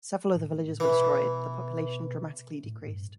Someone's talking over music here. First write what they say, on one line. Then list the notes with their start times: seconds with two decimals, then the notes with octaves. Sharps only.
Several of the villages were destroyed, the population dramatically decreased.
0.35 A2
0.80 B2 E3
2.64 A2
2.87 G2